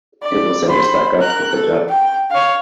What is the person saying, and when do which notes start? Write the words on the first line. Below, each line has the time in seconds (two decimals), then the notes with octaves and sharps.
It will send your stock up with a jump.
0.22 D5
0.68 C5 B5
1.17 A#4 F#6
1.54 A4
1.89 G5
2.30 C#5 F5